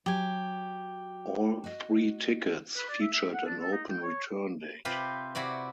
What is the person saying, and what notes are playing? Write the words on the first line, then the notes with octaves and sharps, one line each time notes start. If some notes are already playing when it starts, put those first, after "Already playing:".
All three tickets featured an open return date.
F#3 G4 G#5
F#4 D#5
B4
D5
E5
E5
F#5
D4
A4
D#4
G5
C#5
C3 C4 F4 G4 B4
C3 E4 F#4 D5